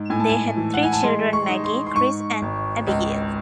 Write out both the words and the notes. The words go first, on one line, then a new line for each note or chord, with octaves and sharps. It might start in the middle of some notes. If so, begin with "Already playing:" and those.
They had three children Maggie, Chris, and Abigail.
Already playing: G#2
A2 G#5
A5
G#5
E3
F#5
G#5
A5
G#3 C6
C#6
D#4
C6
C6
G#2 C#6
G#1
C#2